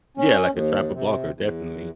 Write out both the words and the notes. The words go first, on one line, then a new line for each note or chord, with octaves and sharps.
Yeah, like a travel blogger, definitely,
C#4
D#2
C3
E2